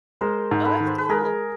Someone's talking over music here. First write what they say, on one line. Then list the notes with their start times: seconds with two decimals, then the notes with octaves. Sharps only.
Oh, that's cool.
0.21 G#3 A#4 C5
0.51 G#2
0.65 A4 B4
0.80 D#3
0.87 C5
0.98 B4
1.09 G#3 G#4 A#4